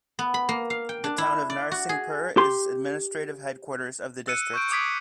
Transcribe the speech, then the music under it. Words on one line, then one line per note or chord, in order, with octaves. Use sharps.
The town of Narsinghpur is administrative headquarters of the district.
B3
B5
A#3
F5
G5
D4
E4
D5
F#4
G#4
G4 C6
E6 F#6 C#7 D#7
C#6 G6 D7
D6 D#6 G#6 B6 D7